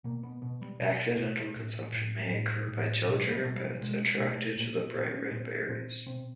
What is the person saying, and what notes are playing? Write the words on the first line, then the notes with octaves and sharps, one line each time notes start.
Accidental consumption may occur by children or pets attracted to the bright red berries.
B2 A#3
B3
B2 B3
G3
B2
B2
A2
A2
A2 G3
A2
B2 F#3
G3
B2
G3
B2 G#3
G#3
B2
A3
A#2 A#3
A#2 C4
C#4
A#2 C4
A#2 C4
B2 C4